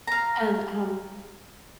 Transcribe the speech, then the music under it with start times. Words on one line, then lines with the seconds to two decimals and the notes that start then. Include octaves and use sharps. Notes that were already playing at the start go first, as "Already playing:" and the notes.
And, um,
0.07 F5 A#5